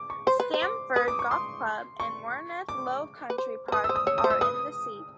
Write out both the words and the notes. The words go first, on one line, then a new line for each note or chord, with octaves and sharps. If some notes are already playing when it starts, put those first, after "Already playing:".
Stamford Golf Club and Werneth Low Country Park are in the seat.
Already playing: D6
C#6
C5 C6
B4
C5
D6
B4 D#6
D6
C#6
C6
C#6
D6
B4
C5
C5
B4 D#6
E6
C5
D#6
C#5 E6
D#6
C5
E6
B4 D#6